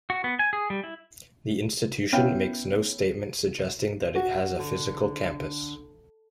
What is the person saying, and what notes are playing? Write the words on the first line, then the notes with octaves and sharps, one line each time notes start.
The institution makes no statement suggesting that it has a physical campus.
F#4
B3
G#5
G#4
G3
E4
B3 C#4 E4 F5 G5
F#4
D3